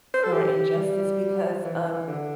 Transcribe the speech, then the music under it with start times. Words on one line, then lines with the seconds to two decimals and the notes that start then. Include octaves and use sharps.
for injustice because of
0.14 C5
0.23 A4
0.33 G4
0.76 G3
1.64 E3
2.08 D3